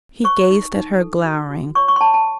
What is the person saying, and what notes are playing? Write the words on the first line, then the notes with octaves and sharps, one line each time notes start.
He gazed at her, glowering.
C5 C#6
D#4
D#4
A4
F#4
F#4
C#5 C#6
C#6
C6
C#5 A5
A5